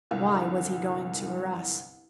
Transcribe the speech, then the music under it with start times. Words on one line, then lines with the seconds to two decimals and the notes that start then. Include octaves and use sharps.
Why was he going to Arras?
0.11 G1 C2